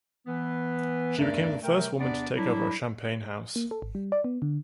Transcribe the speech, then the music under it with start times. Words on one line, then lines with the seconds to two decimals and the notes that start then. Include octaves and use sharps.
She became the first woman to take over a Champagne house.
0.26 E3 B3 B4
1.18 E2 G2 A3 D4 A#4 D5
1.63 C3 A3 A#4 G5
1.99 E2 C3 B3 D4 D5
2.36 F#3 G3 D4 E4
3.56 A#3
3.71 A4
3.82 G#1
3.95 G3
4.12 D5
4.24 B3
4.42 D3